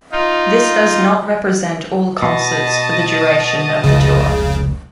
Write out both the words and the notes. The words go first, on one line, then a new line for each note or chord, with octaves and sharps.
This does not represent all concerts for the duration of the tour.
D#4 F4
B2 D#5 A5
F1 C#2 C#3